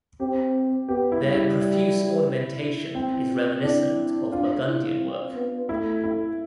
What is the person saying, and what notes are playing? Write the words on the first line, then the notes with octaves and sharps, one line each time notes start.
Their profuse ornamentation is reminiscent of Burgundian work.
C4 G4
B3 G4
E4
G3
E4
C4 E4
F4
D4 E4
D4 F4
E4
C4
B3
A3 E4
E4